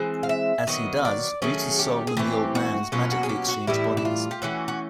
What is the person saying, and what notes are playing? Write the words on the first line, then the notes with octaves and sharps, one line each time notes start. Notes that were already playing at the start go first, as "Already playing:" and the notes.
As he does, Rita's soul and the old man's magically exchange bodies.
Already playing: E3 G#3 C4
F5
E5
D#3 F#3 B3 D#5
D5
D#3 F#3 A3 C#4 G#4
G4
G#4
E3 A3 C4 G4
F#4
B2 F#3 A#3 C#4 F4
F#4
G#4
G4
F#4
A2 E3 G3 E4
E4
F4
G4
E3 A3 C#4 F#4
F#4